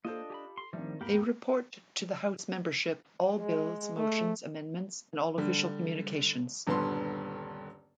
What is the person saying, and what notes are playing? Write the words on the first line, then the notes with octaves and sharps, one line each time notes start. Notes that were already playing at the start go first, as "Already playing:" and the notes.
They report to the House membership all bills, motions, amendments, and all official communications.
A#3 D4 F4 A4 C5 D#5
G4 G#5 B5
C6
A2 D#3 F3 G3 C4 D4 E5
G#1 E2 A#3 G4 A#4 G5 B5
G#3
A3
D3 G3
D#1 G2 D3 B3 A5 C6